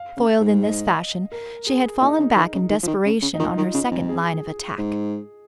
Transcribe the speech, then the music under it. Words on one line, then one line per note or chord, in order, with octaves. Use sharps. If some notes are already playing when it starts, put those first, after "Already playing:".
Foiled in this fashion, she had fallen back in desperation on her second line of attack.
Already playing: F5
C#3
G#2
D#5
A#4
G#4
A#2 D#4
C#3
D#3
C#3
D#3
F3
D#3
C#3
C#3
D#4
D#3 F4
D#3
C#3
F2
G#4
G#2